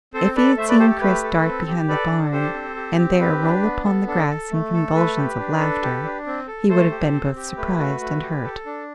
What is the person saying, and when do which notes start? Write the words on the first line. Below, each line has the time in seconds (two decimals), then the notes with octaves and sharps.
If he had seen Chris dart behind the barn, and there roll upon the grass in convulsions of laughter, he would have been both surprised and hurt.
0.14 C4 A4 C5
0.36 A4 B4 D5
0.57 A3 C5 E5
0.68 B4 D5
0.79 G4 A4 C5
0.90 A4
1.01 A3 B4
1.24 A4
1.46 C4
1.67 G4
1.88 A4 B4 D5
2.10 D4
2.32 G4 A4 C5
2.54 C4
2.76 G4
2.98 C4
3.20 G4 B4
3.42 D4
3.64 B3
3.85 A4
4.07 D4 A4
4.30 A4
4.51 A3
4.74 A4
4.95 A3 B4
5.16 G4
5.39 D4
5.60 A4
5.82 G4
6.04 D4
6.26 C4
6.48 A4
6.69 A3 A4 C5
6.91 G4
7.13 C4
7.36 G4
7.57 A3 B4
7.79 F#4
8.01 A3
8.22 G4
8.44 A4
8.66 D4